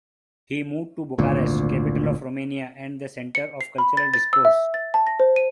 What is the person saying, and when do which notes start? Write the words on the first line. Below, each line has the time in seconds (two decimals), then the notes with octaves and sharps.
He moved to Bucharest, capital of Romania and the center of cultural discourse.
1.18 G#1 D2 A#2
3.35 C#7
3.61 C7
3.78 B5
3.97 A6
4.14 A6
4.33 E6
4.45 E5
4.74 A6
4.94 A5
5.07 A#6
5.20 C5
5.36 D#7